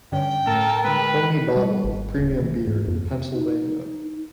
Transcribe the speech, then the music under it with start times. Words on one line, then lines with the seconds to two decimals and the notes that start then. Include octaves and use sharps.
Pony Bottle of Premium Beer in Pennsylvania.
0.12 G2 D3 C#4 G5
0.47 A2 A4 A#4
0.85 D3 G#3 B4
1.56 G3
1.84 G#1
2.19 D1
2.42 E3
2.67 G#2
2.88 F2
3.33 D#4